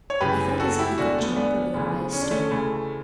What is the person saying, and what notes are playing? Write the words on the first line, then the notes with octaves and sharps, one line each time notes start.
He felt as if he could jump over the highest star.
C#5
F#2 C#3 E3 G4 B4
F#4 A4
E4 G4
E2 D3 D4 F#4
A3
B3
B3 D4
D2 C#3 E3
C#4
D4
A3 C#4
D2 C#3 E3 A3